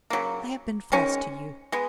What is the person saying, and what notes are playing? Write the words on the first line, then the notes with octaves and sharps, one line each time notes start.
I have been false to you.
C#3 F#3 A#3
D#3 G#3 C#4
G#3 B3